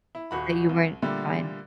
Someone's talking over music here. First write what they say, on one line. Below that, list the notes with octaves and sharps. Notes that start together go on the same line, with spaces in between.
that you weren't fine.
E4
D#1 F#4 B5
C2
A#2 D3 G3 A3